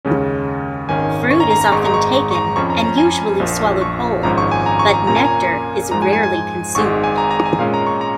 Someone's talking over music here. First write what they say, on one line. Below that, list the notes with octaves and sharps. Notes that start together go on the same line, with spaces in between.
Fruit is often taken and usually swallowed whole, but nectar is rarely consumed.
D#2 C#3 G#3 C#4
G#1 G#2 D#3 C#4 G#5
C#6
A#5
A#5
A#5
G#1 G#2 G#3 D#4 C#6
A#5
C#6
A#5
C#6
C#6
A#5
F2 F3 C#4 C#6
A#5
A#5
G#5
A#1 A#2 F3
C#6
G#1 G#2 F3 C#4 A#5
C#6
G#5
A#5
C#6
A#5
A#2 A#3 C#4 A#5
G#5
A#5
G#2 F3 G#3 A#5
G#5
G#5
G#5
G#1 G#2 G#3 C#6
G#5
A#5
A#5
G#5
A#2 G#3 C#4 F5
A#5
C#6
A#5